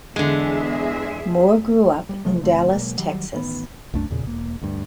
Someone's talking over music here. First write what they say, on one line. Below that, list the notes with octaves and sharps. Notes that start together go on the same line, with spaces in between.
Moor grew up in Dallas, Texas.
E2 D3 G#3 G#4 E5
G3
C3 F3 G#3 A3
G2 D3 A3 C4
B2 F#3 G#3 A#3
D#3 F#3 G3
A1 D#3 B3
C2 F#2 A3 D4
E2 A#2 C#3
E1 A#3
D2 G2